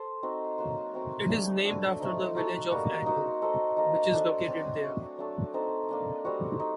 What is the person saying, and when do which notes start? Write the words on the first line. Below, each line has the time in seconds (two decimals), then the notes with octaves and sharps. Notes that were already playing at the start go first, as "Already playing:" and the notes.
It is named after the village of Angle, which is located there.
Already playing: A4 C5
0.23 C4 D#4 F#4
0.58 F#3 A#3 F#4 C5
0.94 A3 C4 F#4 A#4
1.29 A3 D4 G4
1.64 D4 F#4 A4
2.00 A3 C4 D#4
2.35 D#4 F#4 A4
2.71 G3 A#3 F#4 A#4
3.06 D#4 F#4 C5
3.42 D#4 A4 C5 D#5
3.77 A#3 D#4 A4 D#5
4.12 D4 A4 C5 D#5
4.47 F#3 C4 F#4
4.82 A3 D4 F#4
5.18 F#3 A3 D4 A4
5.54 C4 D#4 A4 C5
5.89 A#3 D4 A4 D#5
6.25 G3 C4 F#4
6.60 D#4